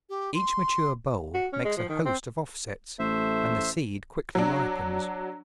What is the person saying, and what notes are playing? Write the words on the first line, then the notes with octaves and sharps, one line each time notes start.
Each mature bulb makes a host of offsets, and the seed quickly ripens.
G4
C6
F#4
C#4
G#3
F3
D#3
C4
A1 A3 C5 E5
F#3 D4